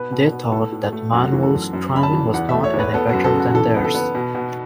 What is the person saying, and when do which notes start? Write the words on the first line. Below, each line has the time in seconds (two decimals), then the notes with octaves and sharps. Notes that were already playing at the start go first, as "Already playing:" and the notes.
They thought that Manuel's driving was not any better than theirs.
Already playing: B2 B3 B4
0.12 B2
0.33 B3
0.52 A2 A4
0.72 A2
0.83 A4
0.93 A3
1.13 F#2 F#4
1.33 E3
1.43 A4
1.53 F#2
1.73 F#2
1.94 C#3 B5
2.03 A5
2.13 E3
2.34 E2 F#5
2.49 A3 E5
2.64 C#5
2.73 E2
2.79 B4
2.94 B3 A4
3.09 F#2 F#4
3.24 A4
3.34 C#3
3.39 F#4
3.54 E3 A4
3.74 B3
3.84 A4
3.95 B3
4.15 B2
4.35 B2